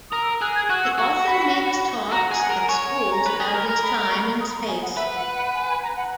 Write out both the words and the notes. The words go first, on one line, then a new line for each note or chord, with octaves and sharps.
He often makes talks at schools about his time in space.
A#4 D#6
E6
G#4 F#6
G#6
F#4 F#6
E6
F#4 C#6
B5
F#4 A#5
G#4
F#5
A#4
C#5 G#5
G#5
A#5
B4
G#4
A#4
A#4
B5
C#6
D#6
B5
A#5
G#5
F#5
B4 E5
F#5
F#5
G#5
G#5
A#5
F#5